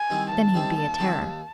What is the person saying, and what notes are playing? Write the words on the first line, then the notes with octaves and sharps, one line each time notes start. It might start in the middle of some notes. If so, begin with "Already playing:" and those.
Then he'd be a terror.
Already playing: G#5
D#3 G3 C4 E4
D#2 A5
D#3 G3 C4 E4
D#2
D#3 G3 C4 E4
D#2